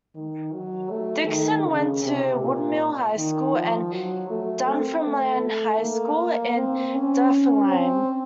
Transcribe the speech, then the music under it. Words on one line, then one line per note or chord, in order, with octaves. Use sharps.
Dickson went to Woodmill High School and Dunfermline High School in Dunfermline.
D#3
F#3
A3
D#3
C#3
C3
A#2
D#3
F3
F#3
A3
C4
A3
A#3
C4
C#4
C4